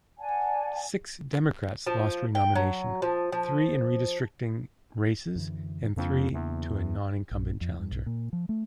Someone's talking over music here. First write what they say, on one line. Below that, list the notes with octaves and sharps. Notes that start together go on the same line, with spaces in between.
Six Democrats lost renomination: three in redistricting races and three to a non-incumbent challenger.
D5 F#5 G#5 A5
F3
G5
F#3
F3
F3
F#2 D3 E3
F2 C#3 A#3 D4
E2
A#1
F2
G2
B1
A#2
F3
A3